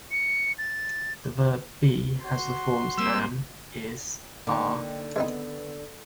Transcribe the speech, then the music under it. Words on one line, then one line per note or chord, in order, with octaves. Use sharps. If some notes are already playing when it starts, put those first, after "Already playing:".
The verb "be" has the forms "am", "is", "are".
C#7
A6
F#4 C6
G3 A#3 C4 E6
D3 A#3 D#4 G5
G#3 B3 C4 D#4